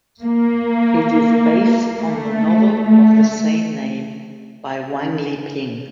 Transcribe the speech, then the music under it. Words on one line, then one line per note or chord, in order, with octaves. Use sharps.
It is base on the novel of the same name by Wang Liping.
A#3
A3
A3